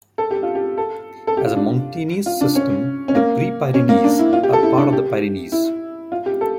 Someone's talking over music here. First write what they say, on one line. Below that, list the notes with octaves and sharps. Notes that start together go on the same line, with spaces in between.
As a mountainous system the Pre-Pyrenees are part of the Pyrenees.
A4
G4
F4
G4
A4
A4
G4
F4
D4
F4
D4
C#4
C#4
A#3
C#4
A#3
D4
E4
F4
G4
A4
E4
D4
G4
E4
F4
G4
A4